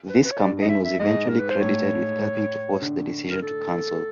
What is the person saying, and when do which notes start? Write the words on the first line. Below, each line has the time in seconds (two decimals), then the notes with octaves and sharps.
This campaign was eventually credited with helping to force the decision to cancel.
0.09 B4
0.25 B4
0.32 C#5
0.39 G2 D5
0.62 D#5
0.69 E5
0.85 E5
0.99 G#2 D#5
1.28 A#4
1.39 B4
1.50 C5
1.61 A2 C#5
2.82 D3
3.31 A#4
3.42 A4